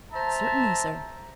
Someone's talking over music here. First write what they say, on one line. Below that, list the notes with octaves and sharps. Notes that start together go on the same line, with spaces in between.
"Certainly, sir."
C5 E5 A5 A#5